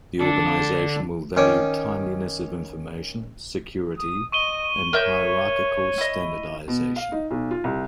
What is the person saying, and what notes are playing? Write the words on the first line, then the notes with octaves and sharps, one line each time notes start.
The organization will value timeliness of information, security and hierarchical standardization.
D3 D4 A4
D#3 C#4 C#5 D6
D#6
D#5 C#6 D#7 G7
A#4 C#5 E5 G6
E4 D#5
B2
F5
D#4
B1
F4
C2